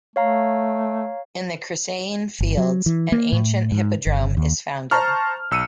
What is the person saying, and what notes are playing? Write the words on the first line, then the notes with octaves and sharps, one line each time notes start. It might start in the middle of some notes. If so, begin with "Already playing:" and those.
In the Crisaean fields, an ancient hippodrome is founded.
A3 C#5 F5 A#5
G1
F#3
E3
A#3
A2
G#2
G1
D#2
C5 A5 A#5 C#6 F6
B1 E6 C#7 D#7